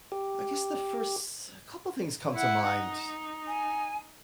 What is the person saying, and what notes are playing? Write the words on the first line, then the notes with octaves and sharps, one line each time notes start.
I guess the first couple things come to mind,
G4
E4 F#5
D#4
G#5